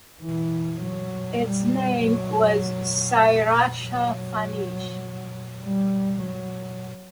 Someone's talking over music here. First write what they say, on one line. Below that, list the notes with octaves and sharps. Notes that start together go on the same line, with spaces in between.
Its name was "Si Racha Phanich".
E3
F#3
G3
F#3
F#3
G3
F#3